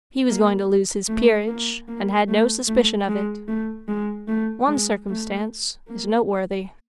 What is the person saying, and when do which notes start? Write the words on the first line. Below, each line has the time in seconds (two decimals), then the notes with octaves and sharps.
He was going to lose his peerage, and had no suspicion of it. One circumstance is noteworthy.
0.28 A#3
1.08 A3
1.48 A#3
1.88 A#3
2.28 A3
2.67 A3
3.08 G#3
3.48 A3
3.88 G#3
4.28 A3
4.68 G#3
5.08 A3
5.88 A#3